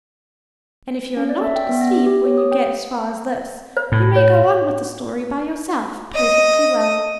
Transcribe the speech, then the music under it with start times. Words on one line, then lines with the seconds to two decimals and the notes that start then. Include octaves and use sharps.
And if you are not asleep when you get as far as this, you may go on with the story by yourself, perfectly well.
1.17 C#4
1.29 D5
1.44 E5
1.56 G5
1.69 B3
1.81 A#6
1.93 G4
2.06 G4
2.25 C#5
2.37 D#6
2.52 G5
3.77 C5
3.92 A2
4.16 C#5
6.15 D#5